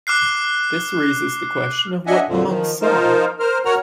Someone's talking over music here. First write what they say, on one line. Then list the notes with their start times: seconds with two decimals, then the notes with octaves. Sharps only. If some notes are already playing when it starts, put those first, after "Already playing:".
This raises the question of what the monks saw.
0.07 D6 F6 F#6 C7
2.07 D4 D#5 E5 F#5 G#5
2.28 F2 A#2 D3 F3
2.46 D#3 F3
2.82 F3 D#4 F4 A#4 C5
3.40 A#4 C5 F6
3.65 F#4 A#4 C#5 F#5 A#5 F6